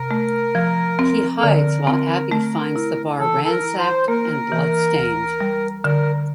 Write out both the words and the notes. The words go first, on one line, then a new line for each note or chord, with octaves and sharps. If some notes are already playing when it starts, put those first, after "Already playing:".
He hides while Abby finds the bar ransacked and bloodstained.
Already playing: C3 A#4
A3
F3
C4
A4
D3 A#4
C4
A3
E4
E3 A4
A4
A#4
E4
C5
A#3 A#4
E3
D2
G3
D3 A#4